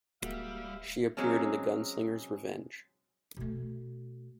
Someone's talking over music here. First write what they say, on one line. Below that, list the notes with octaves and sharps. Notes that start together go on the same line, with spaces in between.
She appeared in "Gunslinger's Revenge".
D1 G3 G#3 A#3 F#4 E5 F5
F#3 G#3 A#3 C4 C#4
B2 A3